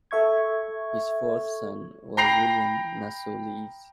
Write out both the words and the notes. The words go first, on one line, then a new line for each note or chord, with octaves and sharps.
His fourth son was William Nassau Lees.
A4 E5 C#6 G#6
G5 A#5 B5 A#6 C7 F7